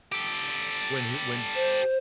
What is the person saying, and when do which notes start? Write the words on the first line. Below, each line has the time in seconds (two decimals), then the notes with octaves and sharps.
when he when
0.12 G4 A4
1.55 C5